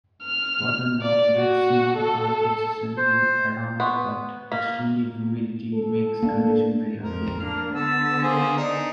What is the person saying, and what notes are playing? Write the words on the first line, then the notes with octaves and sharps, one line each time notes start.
Further north, maxima are consistently around but extreme humidity makes conditions very unpleasant.
F6
D5
F#4
A4
C5
B3 C6 C#6 F#6
A#3 F6 B6
A4
A#3 D4
F2 A#4
A#3 D4 F6
D3 B3 A5 E6
A#3 G#4 C5
D4 D#4